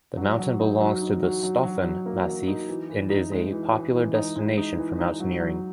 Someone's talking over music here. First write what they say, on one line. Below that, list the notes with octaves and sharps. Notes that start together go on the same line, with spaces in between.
The mountain belongs to the "Staufen" massif and is a popular destination for mountaineering.
F#3
F#3
D#4
F#3
D#4
F#3
F#3
F#3
F#3
A#3
F#3
D#4
E3
E3
D#4
G#3
E3
E3
E3
D#4
G#3
D#4
E3
D#4
F#3
F#3